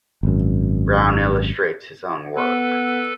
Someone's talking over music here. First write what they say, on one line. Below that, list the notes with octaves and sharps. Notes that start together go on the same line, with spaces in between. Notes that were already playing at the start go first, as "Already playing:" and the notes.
Browne illustrates his own work.
G#1 F#2
B3 A4 B4 F#5 E6